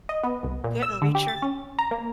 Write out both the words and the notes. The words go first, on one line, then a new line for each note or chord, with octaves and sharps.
Didn't reach her.
D#5
B3
C2
A#2
E6
D3
G4
A6
C#4
A#5
A#3